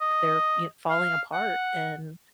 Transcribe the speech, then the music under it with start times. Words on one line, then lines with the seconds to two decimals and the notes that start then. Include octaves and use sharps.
they're y falling apart, and
0.01 D#5
0.90 F5
1.33 F#5